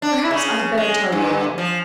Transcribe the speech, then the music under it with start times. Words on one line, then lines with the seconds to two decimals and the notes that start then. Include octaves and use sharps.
Perhaps I had better tell you all.
0.02 D4
0.31 C#3
0.78 G#3
1.12 G2
1.58 F3